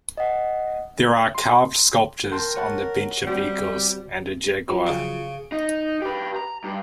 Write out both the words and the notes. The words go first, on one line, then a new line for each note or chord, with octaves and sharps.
There are carved sculptures on the bench of eagles and a jaguar.
D#5 F#5
C6
A#4 G5 A5 C6
C#5 F#5 A5
G3 C4 F#4 G4
F3 F#3
C#3
D#4
G4 B4
A#5
G2